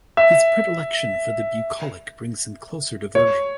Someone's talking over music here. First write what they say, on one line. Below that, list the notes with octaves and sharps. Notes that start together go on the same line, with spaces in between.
His predilection for the bucolic brings him closer to Virgil.
E5
C#5